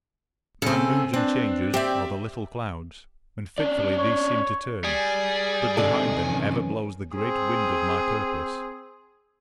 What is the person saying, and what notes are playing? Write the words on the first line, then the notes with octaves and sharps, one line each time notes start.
My moods and changes are the little clouds, and fitfully these seem to turn; but behind them ever blows the great wind of my purpose.
C#3 C4 A4 G#5
C4 D4 B4
C4 G4 D5 E5
C#4 D4 D5
C#5
G3 G#4 D5 G#5
C3 D#3 G#3 D4 G4 A4 D5
E3 F#3 C#4
C4 G#4